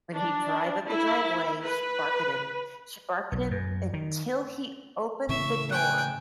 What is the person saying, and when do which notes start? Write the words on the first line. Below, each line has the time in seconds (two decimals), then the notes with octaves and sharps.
when he'd drive up the driveway, she'd bark at him. She'd bark at him until he opened the door,
0.13 D4
0.88 E4
1.62 B4
3.32 B1
3.51 F#2
3.94 D#3
5.29 A2 C#3 E3 E5 C#6
5.71 G5 G#5 F#6